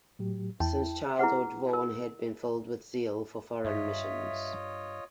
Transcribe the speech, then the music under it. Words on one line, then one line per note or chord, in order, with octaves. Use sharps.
Since childhood, Vaughan had been filled with zeal for foreign missions.
A2 F#3 G4
E2 E4 G5 A5
E4 G#4 B4 F#5
A#4
G2 F4 C#5 D#5 E5